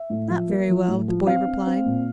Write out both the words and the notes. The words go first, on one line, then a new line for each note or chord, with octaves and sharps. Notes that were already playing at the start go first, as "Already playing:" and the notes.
"Not very well," the boy replied.
Already playing: E5
A2
F3
A#3
F3
A2
F3
C4 F5
C4
C4
A#2